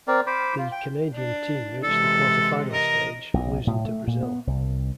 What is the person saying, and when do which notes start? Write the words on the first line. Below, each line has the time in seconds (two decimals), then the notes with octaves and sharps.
The Canadian team reached the quarter-final stage, losing to Brazil.
0.08 C4 A#4 D5
0.27 C5 B5 D6
0.58 F4
0.72 G5
1.16 D4
1.83 C3 E3 G#3 A4
2.73 A#4 D#5
3.34 B1
3.67 A2
3.85 A3
4.07 A#2
4.22 B3
4.47 C2